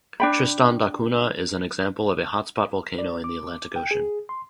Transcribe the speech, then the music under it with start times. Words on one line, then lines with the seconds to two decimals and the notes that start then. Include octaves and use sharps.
Tristan da Cunha is an example of a hotspot volcano in the Atlantic Ocean.
0.20 D4 G5 B5
2.99 D5
3.24 D6
3.76 G5
3.91 G#4
4.29 C6